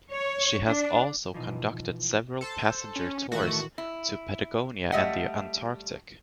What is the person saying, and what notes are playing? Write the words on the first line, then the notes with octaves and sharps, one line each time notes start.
She has also conducted several passenger tours to Patagonia and the Antarctic.
C#5
D4
B2 E3 F3 D#4
A4 C5 A5
C#4
C#4
A1 D#3 A3 F#4 E5
E4
G3 A3 D#5 E5 F#5